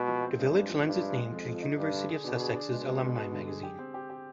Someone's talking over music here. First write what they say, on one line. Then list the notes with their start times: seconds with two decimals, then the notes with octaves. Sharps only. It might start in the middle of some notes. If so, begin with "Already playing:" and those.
The village lends its name to the University of Sussex's alumni magazine.
Already playing: B2 G#3
0.08 F3
0.23 C4
0.39 G2 G#3
0.55 C4
0.70 F3
0.85 G2 C4
1.00 G#3
1.16 G#3
1.32 F2 F3
1.47 F3
1.62 D#4
1.77 G2 D4
1.94 D3
2.09 G#4
2.24 B2 D4
2.40 G#4
2.55 D4
2.70 B2 G#3
2.86 G#3
3.02 G#3
3.17 G#4
3.33 D3
3.48 G#4
3.63 G4
3.79 C4
3.94 G4
4.10 G4